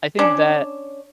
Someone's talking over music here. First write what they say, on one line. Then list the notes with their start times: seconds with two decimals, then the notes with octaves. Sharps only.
I think that,
0.19 C#4 D4